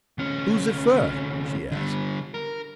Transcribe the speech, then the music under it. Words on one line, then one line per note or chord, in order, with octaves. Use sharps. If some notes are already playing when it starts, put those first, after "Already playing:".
"Who's it fur?" she asked.
D2 C#4
D3 G3
A#4